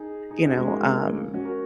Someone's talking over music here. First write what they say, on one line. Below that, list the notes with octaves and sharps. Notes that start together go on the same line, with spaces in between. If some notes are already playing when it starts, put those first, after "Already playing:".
you know, um
Already playing: D#4 G#4
D#4 G#4
D#4
C#4 F#4
G#3 C#4
A#3 D#4
G#3 C#4
A#3
G#3
A#3
C#4 F#4
F#4 A#4